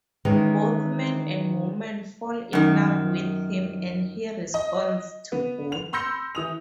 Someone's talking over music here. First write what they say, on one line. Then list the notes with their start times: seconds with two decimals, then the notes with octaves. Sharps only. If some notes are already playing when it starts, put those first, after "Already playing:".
Both men and women fall in love with him and he responds to both.
0.25 D#3 E3 G#3 C#4
2.53 F#2 D#3
4.54 D#5
5.32 B3
5.72 F7
5.93 B5 C6 E6 G6 A#6 C#7
6.35 E3 D#6 F7